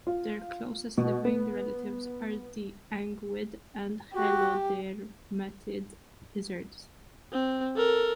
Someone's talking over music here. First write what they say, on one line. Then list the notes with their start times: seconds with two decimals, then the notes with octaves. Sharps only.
Their closest living relatives are the anguid and helodermatid lizards.
0.07 F4
0.98 B2
1.25 B3
4.14 F#4 G4
7.33 C4
7.76 A4 A#4